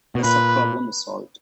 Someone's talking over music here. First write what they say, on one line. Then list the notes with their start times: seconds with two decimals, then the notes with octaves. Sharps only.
The subproblem is solved.
0.15 B2
0.24 A#2 B4